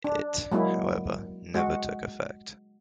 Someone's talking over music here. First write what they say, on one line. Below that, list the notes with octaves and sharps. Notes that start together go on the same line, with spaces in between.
It, however, never took effect.
D4
F#3 G#3 A#3 E4
G#3 F#4